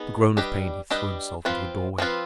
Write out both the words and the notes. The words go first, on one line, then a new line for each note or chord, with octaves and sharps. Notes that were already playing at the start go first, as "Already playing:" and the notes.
With a groan of pain he threw himself into a doorway.
Already playing: B3 D#4 G#4
G3 D4 G4 B4 D#5
G3 D4 G4 B4 D#5
F3 C4 F4 B4
F3 C4 F4 B4